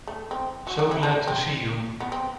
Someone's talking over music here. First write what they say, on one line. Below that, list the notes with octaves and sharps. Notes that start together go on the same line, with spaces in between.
So glad to see you.
A3
C4
F#3 F#4
F#3 F#4
E3 E4
D3 D4
C4
B3
C4